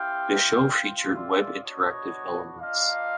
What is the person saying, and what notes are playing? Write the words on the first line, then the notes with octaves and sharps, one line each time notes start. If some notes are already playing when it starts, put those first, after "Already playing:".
The show featured web-interactive elements.
Already playing: C4 E4 G4 F5 G5
C4 F4
D5 E5
B3 D4 F#4 C#5 D#5
A#3 D4 F4 D#5 F5